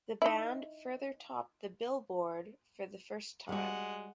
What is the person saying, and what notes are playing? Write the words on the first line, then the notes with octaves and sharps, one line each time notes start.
The band further topped the "Billboard" for the first time.
D#4 E4
G3 G#3 F#4 F#5